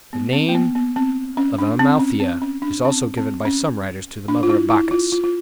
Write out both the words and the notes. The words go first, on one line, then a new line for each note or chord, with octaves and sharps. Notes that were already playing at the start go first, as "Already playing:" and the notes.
The name of Amalthea is also given by some writers to the mother of Bacchus.
B3
C4
A#3
B3
B3
C4
C#4
D4
C4
C#4
C4
C#4
D4
C4
C#4
C4
C#4
D4
F4
E4
E4
F4
F4
F4